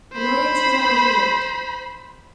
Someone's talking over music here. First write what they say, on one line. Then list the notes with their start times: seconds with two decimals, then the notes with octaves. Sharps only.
Annoyances are overlooked.
0.14 C5 B5